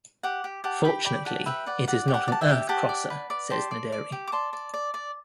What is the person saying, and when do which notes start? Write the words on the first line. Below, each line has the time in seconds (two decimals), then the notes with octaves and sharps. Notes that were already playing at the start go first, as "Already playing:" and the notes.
"Fortunately, it is not an Earth crosser," says Naderi.
0.23 G4 F#5
0.44 G4
0.64 G4 F#5 A5
0.85 G4 G5 B5
1.05 D5 G5 B5
1.25 G4 F#5 A5
1.46 B4 E5 G5
1.67 D5 F#5
1.88 D5 F#5
2.08 G4
2.14 F#5
2.28 D5
2.32 A5
2.41 E5 G5
2.49 G4
2.69 G4 F#5 A5
2.89 D5
3.10 B4
3.30 D5
3.50 G4 A5 C6
3.71 D5
3.92 D5
4.12 G4
4.27 D6
4.32 D5 A5 C6
4.53 D5
4.74 D5
4.94 D5